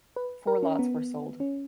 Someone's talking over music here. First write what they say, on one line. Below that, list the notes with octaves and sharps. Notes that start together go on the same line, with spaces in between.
Four lots were sold.
B4
A#4
C#4
B3
C#4